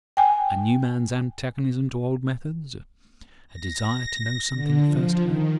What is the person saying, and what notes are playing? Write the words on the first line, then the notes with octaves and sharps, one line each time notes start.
A new man's antagonism to old methods. A desire to know something at first hand.
G5 G#5
A#6
D3
F3
D#3